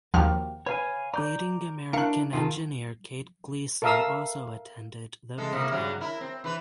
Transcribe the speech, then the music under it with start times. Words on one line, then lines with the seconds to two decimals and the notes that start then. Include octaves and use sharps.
Leading American engineer Kate Gleeson also attended the meeting.
0.14 D#2 F3 A#3 F#4 G4 F6
0.66 B4 C#5 F5 G#5
1.14 D5 A#5 D6 G6
1.93 D4 E4 A#4 F5 C#6 F#6
2.33 D#3 D#4 F4 G#4 A4
3.82 A4 A#4 E5 F5 D#6 E6
5.38 E3 G#3 A4
5.53 C3 A#3 E4
5.72 C#3 F#3 G3
6.01 E4 A#4
6.21 C4
6.44 E3 B4